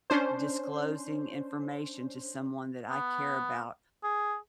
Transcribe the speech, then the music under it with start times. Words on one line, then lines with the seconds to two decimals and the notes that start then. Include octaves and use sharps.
disclosing information to someone that I care about
0.10 C#4 D4 C5
2.89 B3
4.04 G#4